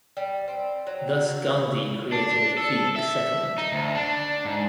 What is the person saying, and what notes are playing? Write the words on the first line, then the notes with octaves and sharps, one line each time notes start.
Thus Gandhi created "Phoenix Settlement".
G3
C4
F#3
D4
A4
E5
D#4
D2
D4
G#2